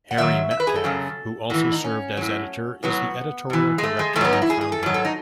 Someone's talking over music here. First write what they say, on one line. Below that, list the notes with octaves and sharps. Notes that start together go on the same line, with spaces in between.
Harry Metcalfe, who also served as editor, is the editorial director and founder.
F#5
G#2 D#3 F#3 E5
E5
B4
G#4
A4
F#2 C#3 F#3
A2 E3 F#4
D#4
C#4
A2 F#3
A2 F#3 B3
G#2 E3
G#3
A3
G#3
G#2 A3
F#3 B3
D#4
E4
G#4
G#4
A4
G#2 F#3
A4
D#4